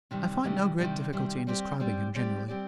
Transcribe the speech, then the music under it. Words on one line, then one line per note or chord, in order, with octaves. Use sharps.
I find no great difficulty in describing him, generally.
C3 D#3 G3
C3 D#3 G3
C3 D#3 G3
C3 D#3 G3
G3 C4 G4 D5
G3 C4 G4 D5
G3 C4 G4 D5
G3 C4 G4 D5